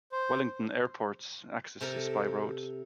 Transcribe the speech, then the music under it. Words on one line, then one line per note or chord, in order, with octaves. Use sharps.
Wellington Airport's access is by road.
C5
C3 A4 A#4